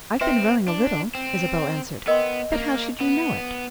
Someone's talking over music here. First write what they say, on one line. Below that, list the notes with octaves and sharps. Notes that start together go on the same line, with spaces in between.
"I've been rowing a little," Isabel answered; "but how should you know it?"
C4 B4 E5 G5 C6
D4
C4
B3 A#4 D#5 G5 C6
A#3
B3